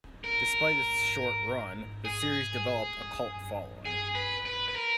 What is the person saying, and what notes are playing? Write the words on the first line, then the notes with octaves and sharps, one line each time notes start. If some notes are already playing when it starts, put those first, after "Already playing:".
Despite its short run, the series developed a cult following.
A#4
G#4
G#4
B4
B4
B4
A#4